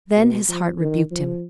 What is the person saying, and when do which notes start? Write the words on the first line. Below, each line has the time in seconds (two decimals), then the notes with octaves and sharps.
Then his heart rebuked him.
0.16 B2
0.48 F3
0.80 D#3
1.11 F3